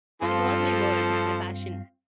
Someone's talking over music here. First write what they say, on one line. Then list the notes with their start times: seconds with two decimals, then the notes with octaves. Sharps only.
It was my world, my passion.
0.22 G2 F3 C4 F4 A4